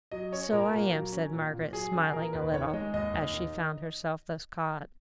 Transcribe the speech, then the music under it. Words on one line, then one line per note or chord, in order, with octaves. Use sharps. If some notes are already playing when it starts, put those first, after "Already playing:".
'So I am,' said Margaret, smiling a little, as she found herself thus caught.
F#3 D#5
C#4 C#5
A#2 A#4
A#2
F#3
C#4
A#2
A#2
F#3 G#4
C#4 G#4
A#2 A#4
D#2 B4
D#3 C#5
G#3 D#5
D#2 D#5
D#2
D#3